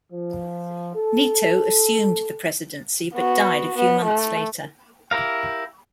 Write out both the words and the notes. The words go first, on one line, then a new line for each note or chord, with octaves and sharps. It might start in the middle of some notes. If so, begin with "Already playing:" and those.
Nieto assumed the presidency but died a few months later.
F3
A4
B3 F#4
B3
A3
E4 G4 A#4 F5